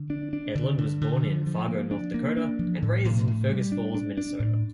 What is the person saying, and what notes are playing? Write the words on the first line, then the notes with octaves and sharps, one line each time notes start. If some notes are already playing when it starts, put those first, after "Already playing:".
Edlund was born in Fargo, North Dakota and raised in Fergus Falls, Minnesota.
Already playing: D3
D4
D4
D3
D3
D3
F3
F3
A#3
D4
A#3
D4
F3
A2
A2
A2
G3
D4
D4
D4
A2